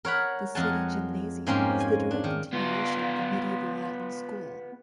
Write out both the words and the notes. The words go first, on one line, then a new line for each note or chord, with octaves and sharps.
The city Gymnasium is the direct continuation of the medieval latin school.
A#4 C#5 F#5 B5
F2 G#3 A#4 F#5 G#5 A5
G#2 G#3 A#3 C4 C#4 G4
G#5
D4
D#3
B3 F4